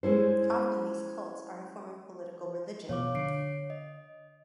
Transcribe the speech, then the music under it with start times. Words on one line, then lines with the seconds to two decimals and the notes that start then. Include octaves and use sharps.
Often these cults are a form of political religion.
0.03 G#3 C#4 E4 C5
2.89 B2 F3 C#5 F5 D6
3.14 D3 C#5 C7 D7
3.70 D#5